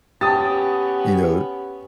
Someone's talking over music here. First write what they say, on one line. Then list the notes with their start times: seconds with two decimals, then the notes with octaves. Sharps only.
you know,
0.21 B3 C#4 G4 A5 D#6 A6